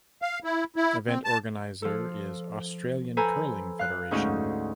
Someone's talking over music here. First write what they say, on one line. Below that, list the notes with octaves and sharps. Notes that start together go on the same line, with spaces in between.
Event organizer is Australian Curling Federation.
F5
E4
E4
C4
A5
F3 A4
A4 B4 C5 G#5 A#5 B5
F5 F#6
D2 G#2 C#4 F#4